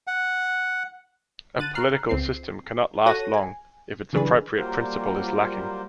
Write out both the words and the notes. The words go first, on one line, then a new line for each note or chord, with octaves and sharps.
A political system cannot last long if its appropriate principle is lacking.
F#5
D3 F#6 A6 D#7
A#5 F6 F#6 C7
C#2 C4 C7
F#4 A4 C#5 F#6 A#6 D#7
G#5
C#3 E3 F#3 D4 G#4 B4
F#3 G3 A#3 F4 A#4 C5